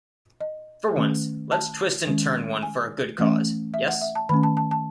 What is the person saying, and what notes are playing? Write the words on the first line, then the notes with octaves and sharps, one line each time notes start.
For once let's twist and turn one for a good cause, yes?
D#5
D#3 A3 C#4
A5
D#3 G#3 C#4
G#5
E3 A3 C#4
E5
F#5
E5
A5
D#3 A3 C#4 B5
A5
A5
A5